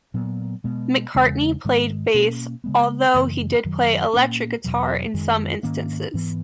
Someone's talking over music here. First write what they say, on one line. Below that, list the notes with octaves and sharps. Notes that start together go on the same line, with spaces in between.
McCartney played bass although he did play electric guitar in some instances.
A#2 F#3 B3
B2 G#3 B3
E2 C#3 G#3
G#2 D#3 G#3
B2 A#3 C#4
C#3 G#3 B3
F#2 C#3 E3 A#3
F#2 D#3 F#3
A#2 A#3 C#4
E2 B2 F#3
F#2 D#3 G#3
G#2 D#3 A#3 C#4
G#2 E3 B3